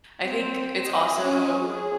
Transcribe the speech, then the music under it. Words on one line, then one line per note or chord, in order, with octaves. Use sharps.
I think it's also
C4
D#5
C#4
G#4